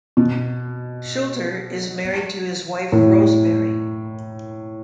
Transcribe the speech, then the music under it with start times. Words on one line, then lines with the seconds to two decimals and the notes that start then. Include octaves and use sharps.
Schulter is married to his wife, Rosemary.
0.17 B2
2.92 A2